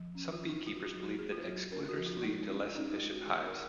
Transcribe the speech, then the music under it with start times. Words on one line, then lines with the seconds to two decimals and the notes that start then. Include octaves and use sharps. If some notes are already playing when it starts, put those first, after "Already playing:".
Some beekeepers believe that excluders lead to less efficient hives.
Already playing: F3
0.15 C#4
0.32 F4
0.41 C#4
0.49 D#4
0.67 F#3 F4
0.76 F#4
0.84 F4
0.94 F#3
1.02 F#4
1.19 A#3 G#4
1.32 F4
1.45 F#3 F#4
1.58 G#4
1.71 C#4 A#4
1.89 F#4
1.98 F3
2.06 F4
2.23 G#3 D#4
2.49 C#4 F4
2.75 C#4 D#4
2.88 D#4
2.93 F4
3.01 G#3
3.11 F#4
3.27 D#3 G#4
3.45 A#4